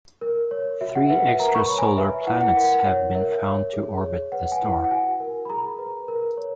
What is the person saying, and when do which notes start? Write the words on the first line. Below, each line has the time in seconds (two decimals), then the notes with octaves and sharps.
Three extrasolar planets have been found to orbit the star.
0.21 A#4
0.51 C#5
0.81 F#4 E5
0.95 F#5
1.10 B4 E5
1.25 F#5
1.39 A#4 A#5
1.55 C#6
1.59 B5
1.69 C#5
1.79 G#5
1.98 B4 E5
2.27 E4 F#5
2.41 F#5
2.56 A#4 F#5
2.85 C#5
3.15 A#4 E5
3.45 C#5
3.73 G#4
4.03 C#5
4.32 B4 F#5
4.52 G#5
4.62 E4
4.71 F#5
4.84 F#5
4.91 F#4 G#5
5.20 A#4
5.45 B5
5.50 G#4 A#5
5.79 B4
6.08 A#4
6.37 C#5